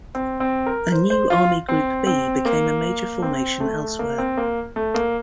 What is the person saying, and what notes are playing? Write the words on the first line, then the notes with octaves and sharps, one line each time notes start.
A new Army Group B became a major formation elsewhere.
C4
C4
A#4
C5
C5
F4
C4
C4
A#3
C4
A3
A#3
C4
A#3
A3
A#3